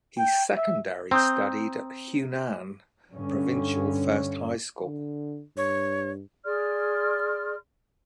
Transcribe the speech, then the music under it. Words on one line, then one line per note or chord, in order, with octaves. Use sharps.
He secondary studied at Hunan Provincial First High School.
G5
E5
C4 A#5 D#6 G6
G2 D3 C#4
D3
G2 C#5
G#4 D5 C6 F6